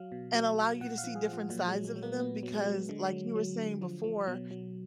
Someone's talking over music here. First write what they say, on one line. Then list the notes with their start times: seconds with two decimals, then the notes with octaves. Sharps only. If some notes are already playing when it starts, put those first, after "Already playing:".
and allow you to see different sides of them, because, like, you were saying before,
Already playing: F#3 F5
0.12 B2
0.35 F#3
0.58 F#3
0.80 A#2 F#5
0.98 F5
1.04 F3
1.15 G#4
1.27 F3
1.33 F4
1.50 A#2 F#3
1.68 F#3 G#3
1.85 G#3
1.96 F#3
2.03 A#3
2.19 A#2 B3
2.43 F#3
2.54 G#3
2.66 F#3
2.89 D3 G#3
3.12 F#3
3.36 F#3
3.58 D3
3.81 F3
4.04 F3
4.27 B2 F#3
4.51 F#3